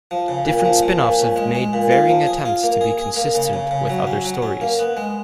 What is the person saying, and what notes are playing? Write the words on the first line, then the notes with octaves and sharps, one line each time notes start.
Different spin-offs have made varying attempts to be consistent with other stories.
F3
C#3
A#2
F3
F3
A#2
C#4
G#3
G#3
A#2
F4
F3
G#4
F4
A#3
G#4
G#4
A#3
C#3
C#3
C#3
F#3
C#4
F#3
C#4
A#3
B3
G#3